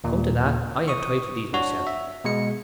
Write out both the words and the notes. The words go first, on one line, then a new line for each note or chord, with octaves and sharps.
Come to that, I have title-deeds myself.
D#2 A#2
C#6 D#6
D4 F#4 C#5
E5
B2 G#3 C#7